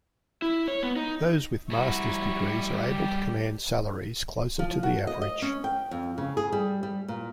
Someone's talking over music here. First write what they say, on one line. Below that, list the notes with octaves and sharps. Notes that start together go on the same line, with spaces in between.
Those with master's degrees are able to command salaries closer to the average.
E4
C#5
B3
D#4
G3 E4 F#4 C#6
G4
F3
F#4
D#5
D#5
C#4
G5
F2
C#3
G#4
G3
G3
A#2